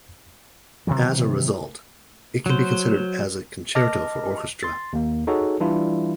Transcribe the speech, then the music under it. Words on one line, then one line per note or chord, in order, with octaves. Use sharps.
As a result, it can be considered as a concerto for orchestra.
C3 D#3 E3 F#3
F#3 C5
D#5 A5 D6 F6 A#6
C6 A6
D#2 A#3
D#4 F#4 G#4 A4 C#5
E3 G3 D4 E4 F4